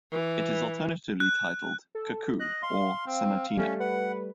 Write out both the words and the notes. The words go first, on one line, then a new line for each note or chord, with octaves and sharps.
It is alternatively titled "Cuckoo" or "Sonatina".
E3
F#6
A4
D#5 F#6
F5 C6
C4
G3 A3 C#4
B4 F#5